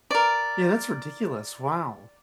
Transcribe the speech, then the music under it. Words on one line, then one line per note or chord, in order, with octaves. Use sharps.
Yeah, that's ridiculous. Wow.
A#4 D5